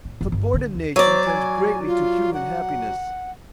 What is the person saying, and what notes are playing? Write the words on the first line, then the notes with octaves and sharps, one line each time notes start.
Subordination tends greatly to human happiness.
A2
F#1
G1
D3
D#2
F#3 C5 D5
G#5
F4
F#5